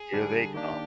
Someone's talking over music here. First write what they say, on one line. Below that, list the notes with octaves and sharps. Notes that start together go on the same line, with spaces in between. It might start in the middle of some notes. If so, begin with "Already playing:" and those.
Here they come.
Already playing: G#4
D3 G3 D4
D#3 A#3 D4 G4